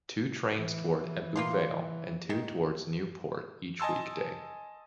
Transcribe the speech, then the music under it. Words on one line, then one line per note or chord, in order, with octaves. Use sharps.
Two trains towards Ebbw Vale and two towards Newport each weekday.
E3
A#3 F4 C6
D#3
D#5 G#5 A5 C6 E6